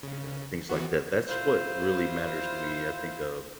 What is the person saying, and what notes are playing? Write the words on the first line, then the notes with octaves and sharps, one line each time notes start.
You know, things like that that's what really matters to me, I think, um,
C#3
E3 B3 F#4
E4 F4 C5